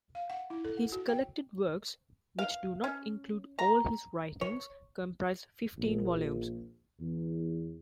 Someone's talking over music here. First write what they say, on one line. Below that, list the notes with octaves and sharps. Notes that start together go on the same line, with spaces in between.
His "Collected Works", which do not include all his writings, comprise fifteen volumes.
F5
F#5
E4
A4
F#5
F#4
G5
F5
C#4
A#5
C#5
A#1
E2